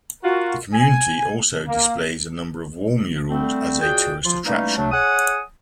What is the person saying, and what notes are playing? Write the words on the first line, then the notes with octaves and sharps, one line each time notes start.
The community also displays a number of wall murals as a tourist attraction.
F4 F#4 A#4
G#5
A#3
D3 G3 A3 C4
C#2 F#4 G#4 D5 G5
F3 F4
E3 G3 A3 A#3 C#4 D#4
F#3 A3 D4
G#4 C#5 F#5 G#5 D#6